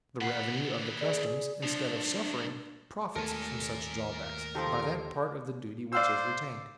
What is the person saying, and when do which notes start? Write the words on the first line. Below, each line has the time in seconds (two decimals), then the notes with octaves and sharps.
The revenue of the customs, instead of suffering, profits from such drawbacks, by that part of the duty which is retained.
0.21 D#2 B4 F#5 C7
1.01 G#4 D5
1.63 C2 F3 D4
3.16 D#2 G#3 A3 A4 A#4 G#5
4.55 D#3 F3 F4 G4 A4 C5
5.93 C5 D5 F5 E6